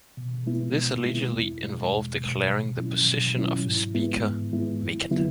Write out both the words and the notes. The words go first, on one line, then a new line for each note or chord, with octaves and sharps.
This allegedly involved declaring the position of Speaker vacant.
B2
G#3 B3 E4
B2
G#3 B3 E4
E2
B2 G#3
E2
B2 G#3
B2
F#3 C#4 E4
B2
F#3 C#4 E4
G#2
G#3 B3 E4
G#2
G#3 B3 E4
F#2
D3 F#3 B3 E4